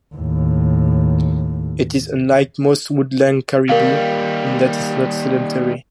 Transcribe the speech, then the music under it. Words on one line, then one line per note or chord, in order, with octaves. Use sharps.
It is unlike most woodland caribou in that it is not sedentary.
D#2 A2
D#2 G3 A#4 F5